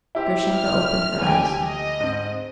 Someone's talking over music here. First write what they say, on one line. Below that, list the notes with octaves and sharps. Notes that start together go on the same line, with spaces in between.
Grushenka opened her eyes.
E4 G4 C5
F6
D2 G4 G#5 F7
D#5
G#2 C4